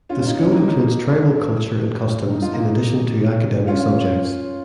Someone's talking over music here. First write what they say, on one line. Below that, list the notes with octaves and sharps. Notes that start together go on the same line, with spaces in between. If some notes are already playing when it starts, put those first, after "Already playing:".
The school includes tribal culture and customs in addition to academic subjects.
C#4 F4
D#4
C#4
A#3 D#4
D#4
F4
A#3 D#4
C#4 F4